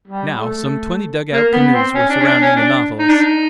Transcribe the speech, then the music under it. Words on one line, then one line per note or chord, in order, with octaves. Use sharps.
Now some twenty dugout canoes were surrounding the Nautilus.
G3
A3
A#3
B3
C4
C#4
D4
C#4
D4
C#4
D4
D#4
D4
D#4